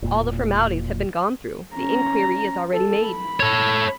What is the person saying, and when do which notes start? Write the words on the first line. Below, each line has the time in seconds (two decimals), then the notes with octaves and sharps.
"All the formalities have been gone through; the inquiry is already made."
0.02 E1 A#2
1.75 C#4 A#5
2.73 A4
3.07 B5
3.40 A4 C#5